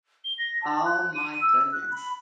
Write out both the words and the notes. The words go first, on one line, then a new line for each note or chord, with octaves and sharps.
Oh my goodness.
G7
A#6
A5
F#6
D#7
E6
F#6
B5